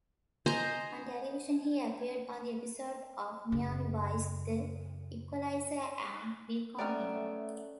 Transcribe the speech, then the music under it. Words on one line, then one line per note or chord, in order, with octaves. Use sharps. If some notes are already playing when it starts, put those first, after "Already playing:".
On television, he appeared on episodes of "Miami Vice", "The Equalizer", and "Beacon Hill".
C5 D#5 G#5 A#5
F#2 C#3
A3 B3 C#4 D5 E5 G5 A#5 F6